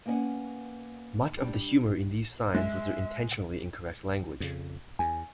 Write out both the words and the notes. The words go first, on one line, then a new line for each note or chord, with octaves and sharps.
Much of the humor in these signs was their intentionally incorrect language.
A#3 B3 C#4 D#5 F#5
G3 D4
G#3 E5
F2 C#3
E2 G#5